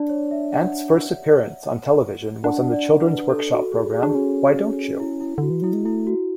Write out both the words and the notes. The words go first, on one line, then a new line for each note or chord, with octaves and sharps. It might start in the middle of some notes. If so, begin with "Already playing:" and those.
Ant's first appearance on television was on the children's workshop programme Why Don't You?
Already playing: D4 D5
C#5
E5
F#5
D4 F#5
D5
B4
A4
F#4
G#4
G#4
D4
G#4
C#4 F#4
E4
E4
D3 F#4
E3
F#3 E4
G#3
A3 E4
F#4